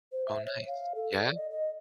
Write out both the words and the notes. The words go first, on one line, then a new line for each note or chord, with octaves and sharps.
Oh, nice. Yeah?
C5
E5
C#5
F5
A4
D5
D#5
D#5